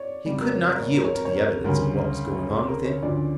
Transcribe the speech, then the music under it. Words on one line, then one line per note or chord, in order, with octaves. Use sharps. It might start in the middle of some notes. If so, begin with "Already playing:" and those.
He could not yield to the evidence of what was going on within him.
Already playing: C#5 D5
F2 C#3 G3 D5
A#4
C#5
A#4
C#5
A#4
C#5
A#4
C#5
A#4
D2 C#3 G3 C#4 A#4
C#5
A4
A#4
C#5
D2 D3 F3 C#4 D5